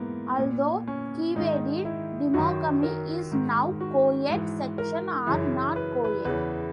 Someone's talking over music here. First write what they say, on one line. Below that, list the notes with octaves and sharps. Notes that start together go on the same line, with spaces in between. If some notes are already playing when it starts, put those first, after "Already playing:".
Although Keewaydin Temagami is now co-ed, sections are not co-ed.
Already playing: G#2 E3 A#3 B3
A#2
C#4
G#2 D#3 D#4
E4
F#2 D#3 F#4
A#4
G#2 D#3
F#4
G#2 E3
A#4
F#2 C#3 E3
B4
B4
E2 C#3 E3 B4